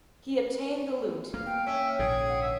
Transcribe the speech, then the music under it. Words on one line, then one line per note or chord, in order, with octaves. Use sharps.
He obtained the Lieut.
A#3 F5
G5
C#4 E5
A#1 G#2 D3 G#4
F#5
E5